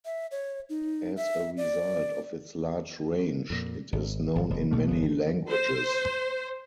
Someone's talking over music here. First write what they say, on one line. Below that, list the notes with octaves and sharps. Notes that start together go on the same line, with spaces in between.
As a result of its large range, it is known in many languages.
E5
C#5
D#4
E5
D5
F2 A#2
G#1
G#1
F1
B1 B2 A3 A#3
G1 B3
C5